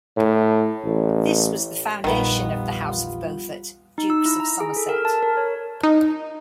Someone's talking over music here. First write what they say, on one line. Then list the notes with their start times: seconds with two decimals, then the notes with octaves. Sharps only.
This was the foundation of the House of Beaufort, Dukes of Somerset.
0.17 A2
0.84 A1
2.04 A#1 E2 D#3 G3 B3 F4
3.98 D#4
4.10 E6
4.25 E4
4.40 A#5
4.60 G#4
4.77 A4
4.89 A#4
5.05 A5
5.23 A#4
5.37 C#5
5.83 D#4